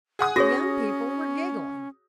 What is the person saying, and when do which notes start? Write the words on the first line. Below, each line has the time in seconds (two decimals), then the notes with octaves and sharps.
The young people were giggling.
0.19 G#4 F#5 D#6
0.36 C#4 F#4 G#4 C#5 A#6